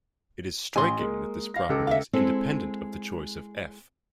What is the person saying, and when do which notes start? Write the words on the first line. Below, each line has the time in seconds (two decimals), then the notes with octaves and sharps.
It is striking that this property is independent of the choice of "f".
0.76 A1 G#5 C6
0.99 G#3 A#3
1.54 F5 A#6
1.69 C#2 A4 D6
1.87 E5 F5
2.13 G#3 C4 E4 A4